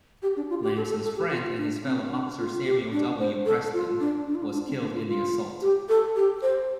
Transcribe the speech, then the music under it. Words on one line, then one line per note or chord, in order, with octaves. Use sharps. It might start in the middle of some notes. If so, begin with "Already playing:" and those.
Lamson's friend and fellow officer Samuel W. Preston was killed in the assault.
G4
D4
F4
G4
A4
A4
A4
G4
F4
D4
C4
D4
F4
G4
D4
C5
A4
F4
D4
D4
F4
D4
D4
C4
D4
F4
F4
G4
A4
G4
C5